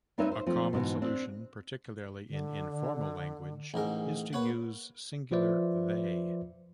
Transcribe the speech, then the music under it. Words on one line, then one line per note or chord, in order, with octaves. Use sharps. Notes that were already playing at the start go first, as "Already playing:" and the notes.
A common solution, particularly in informal language, is to use singular "they".
G3 C4 D#4 B4 C#5 E5
C5
F3 A3 C4
G#2 B2 D#3 E3
C4 D4
D3
A1 G#2 A#4
A#3 B4 C#5 F#5
F3 F4 B4 C5 D5 E5